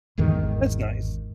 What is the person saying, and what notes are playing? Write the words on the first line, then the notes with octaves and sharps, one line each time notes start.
That's nice.
G#1 E2 G#2 D#3